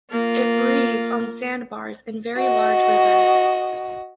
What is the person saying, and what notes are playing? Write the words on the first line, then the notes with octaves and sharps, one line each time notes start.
It breeds on sandbars in very large rivers.
A#3 F4
F#4 D#5